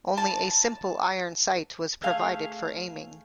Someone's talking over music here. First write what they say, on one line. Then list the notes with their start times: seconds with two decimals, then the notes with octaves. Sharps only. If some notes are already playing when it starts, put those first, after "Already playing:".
Only a simple iron sight was provided for aiming.
0.17 A5
2.03 A3 G#4 F5